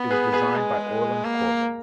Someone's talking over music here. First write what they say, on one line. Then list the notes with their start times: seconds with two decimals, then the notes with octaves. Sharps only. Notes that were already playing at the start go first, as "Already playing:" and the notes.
It was designed by Orland Corben.
Already playing: B3
0.10 G#4 B4
0.33 G#4 B4
0.56 G#3
1.24 A#3